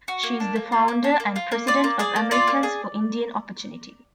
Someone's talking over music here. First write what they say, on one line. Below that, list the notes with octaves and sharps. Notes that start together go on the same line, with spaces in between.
She is the founder and president of Americans for Indian Opportunity.
F#4
A#3
D4
A#3
F4
A#3
D4
A#3
F4
A#3
F4 D5
A#3
G#4 D5
A#3
F4 D5
A#3
G#4